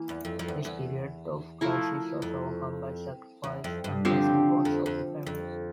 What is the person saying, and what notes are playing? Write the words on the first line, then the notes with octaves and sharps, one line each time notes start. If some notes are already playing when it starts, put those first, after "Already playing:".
This period of crisis was overcome by sacrifice and personal bonds of the family.
Already playing: E3 A#3
E2
F2
F2
E2
E2
F3 A3 E4 A#4
F2
E2
F2
G2
D3 F3 C4 G4
F2
F2
F2